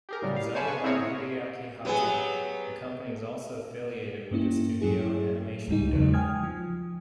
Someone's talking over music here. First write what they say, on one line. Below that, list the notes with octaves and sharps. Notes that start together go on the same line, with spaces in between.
Presided by Hideaki Hatta, the company is also affiliated with the studio Animation Do.
G4 G#4 A#4
A2 C#3 F#3 G3
F5
C5 C#5 F5 G#5 A5 B5
G#4 B4 C#5 G#5
B3 C4 E4 G#4 A#4 C#5
F#3 B3 G4 G#4
G2 A#3 C#4 E4
G2 F#3 E4 G#4
C#2 G#2 G3 D#4
E2 C#3 F#3 G#3
G5 G#5 D#6 F6 G#6
F3